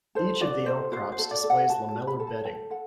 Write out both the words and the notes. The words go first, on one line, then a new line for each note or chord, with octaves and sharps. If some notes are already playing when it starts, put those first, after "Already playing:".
Each of the outcrops displays lamellar bedding.
A4 C5
F#4 D5
A4 C5
F#4 C5
C5
A4
D5
A4
F#5
F#4 A5
A5
F#4
B5
A4
A5
A4 G5
A4 F#5